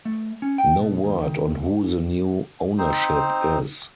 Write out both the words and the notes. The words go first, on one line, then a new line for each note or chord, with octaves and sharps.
No word on who the new ownership is.
A3
C#4
G5
B2
D#2
D#3
C4 D#4 C5